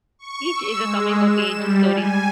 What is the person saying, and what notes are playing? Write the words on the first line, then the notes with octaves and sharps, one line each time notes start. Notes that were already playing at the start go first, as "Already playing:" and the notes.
Each is a coming of age story.
C#6
E6
G#3
E7
G3
G#5